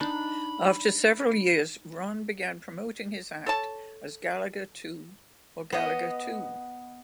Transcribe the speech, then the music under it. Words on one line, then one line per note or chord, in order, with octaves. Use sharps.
After several years, Ron began promoting his act as Gallagher Too or Gallagher Two.
D4 D#4 B5
A4 C#5 A5
B3 D#5